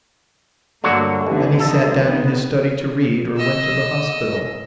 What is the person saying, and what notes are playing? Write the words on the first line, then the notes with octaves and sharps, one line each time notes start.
Then he sat down in his study to read, or went to the hospital.
G2 D3 F#3 A#3 F#4
A1 D3 D#3 B3
D3 D#4 A4
D#3 B3 C4
D#5 E6